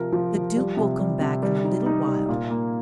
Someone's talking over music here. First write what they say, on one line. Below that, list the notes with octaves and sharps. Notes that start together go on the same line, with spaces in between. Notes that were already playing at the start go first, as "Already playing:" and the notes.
The duke will come back in a little while.
Already playing: C3 F3 A#4
F3
F3
G3
C3
G3
C3
G3
D#4
D#4
G3
A#2
A#3